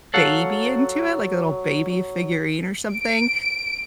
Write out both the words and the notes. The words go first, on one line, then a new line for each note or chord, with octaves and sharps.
baby into it, like a little baby figurine or something.
F#3 A4 F5 F#5
F#3
D7